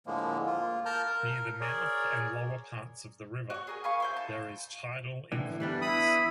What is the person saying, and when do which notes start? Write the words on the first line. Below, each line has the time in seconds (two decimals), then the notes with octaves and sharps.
Near the mouth and lower parts of the river, there is tidal influence.
0.07 A2 D3 F3 G#3 A#3
0.46 A#3 F4
0.86 A#4 A5 A#5 F6 G6
1.05 A#4
1.61 G#4 A#4 C#5 D5
3.50 F#4 C#5
3.67 G#4 A#4 G#5
3.84 F5 G#5 B5 C#6
4.00 E4 C5 G6
4.16 A5
5.32 A2 D3 E3
5.60 E3 G3 B3 D4
5.81 E4 B5 D#6